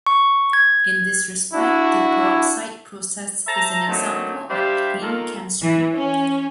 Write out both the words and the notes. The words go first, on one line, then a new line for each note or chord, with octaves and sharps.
In this respect, the Peroxide process is an example of Green Chemistry.
C#6
G#6
D4 E4 F#4
C5 E5 A5 A#5
D3 D#3 F#3 A3 A#3 C4
G3 D4 G4 C5 E5 F5
D#3 A#3 F4 A4 A#4
E3
C#4